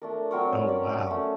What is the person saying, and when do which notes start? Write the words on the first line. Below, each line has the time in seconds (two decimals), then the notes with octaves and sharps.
Oh, wow.
0.02 A3 D4 A#4
0.31 F#3 C4 A#4 C#5
0.67 C#4 D5
1.07 A3 C#4